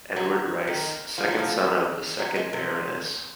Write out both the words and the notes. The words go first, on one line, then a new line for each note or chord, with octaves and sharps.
Edward Rice, second son of the second Baroness.
F#3
D#3
F3
F#3
F3
F#3
G#3
C3